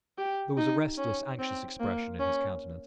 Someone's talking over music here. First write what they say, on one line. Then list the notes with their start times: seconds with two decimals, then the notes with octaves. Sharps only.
There was a restless, anxious expression in his countenance.
0.18 G4
0.58 D#4
0.98 C#4
1.40 C4
1.80 A#3
2.20 C#4